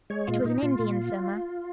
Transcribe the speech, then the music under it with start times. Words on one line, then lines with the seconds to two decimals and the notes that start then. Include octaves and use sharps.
It was Indian Summer.
0.10 G#3 C#5
0.28 A#2 F4
0.44 A#2 D#4
0.62 A#2 F4
0.79 A#2